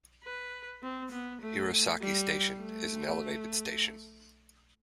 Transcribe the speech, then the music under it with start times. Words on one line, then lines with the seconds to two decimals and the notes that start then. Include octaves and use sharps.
Hirosaki Station is an elevated station.
0.24 B4
0.82 C4
1.12 B3
1.41 A3
2.01 G3
2.60 A3